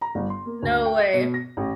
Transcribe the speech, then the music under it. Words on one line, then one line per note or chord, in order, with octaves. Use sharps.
No way.
A#5
G1
C6
A#3
D2
G5
D#5
B2
A#6
A1